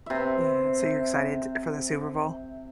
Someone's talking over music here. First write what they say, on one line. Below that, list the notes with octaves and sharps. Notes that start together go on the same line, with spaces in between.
Yeah. So you're excited for the Super Bowl?
C3 E5